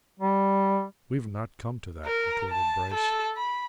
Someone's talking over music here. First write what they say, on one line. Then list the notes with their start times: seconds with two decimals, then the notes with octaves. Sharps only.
"We've not come to that," retorted Bryce.
0.20 G3
2.05 A#4
2.51 A5
2.94 A4
3.37 B5